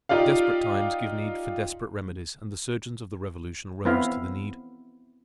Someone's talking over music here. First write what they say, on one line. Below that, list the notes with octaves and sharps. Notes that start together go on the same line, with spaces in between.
Desperate times give need for desperate remedies, and the surgeons of the Revolution rose to the need.
D#4 F4 G4 D5 F5
B3 C4 E4 F5